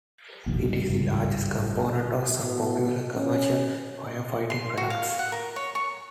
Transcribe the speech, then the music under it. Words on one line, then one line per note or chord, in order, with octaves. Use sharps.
It is the largest component of some popular commercial firefighting products.
F1 A#1 D#2
G2
G#1 C#2
B2
C#4
C6
F#4
F5
F#5
A#4
C#5
C#6